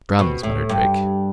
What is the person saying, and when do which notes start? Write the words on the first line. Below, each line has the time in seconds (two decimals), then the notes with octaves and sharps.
"Drums?" muttered Drake.
0.19 B2
0.43 A2
0.69 G2